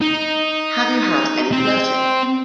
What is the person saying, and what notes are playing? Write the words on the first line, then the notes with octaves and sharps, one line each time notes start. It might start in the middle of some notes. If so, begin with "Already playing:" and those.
Have you had any flirting?
D#4
C4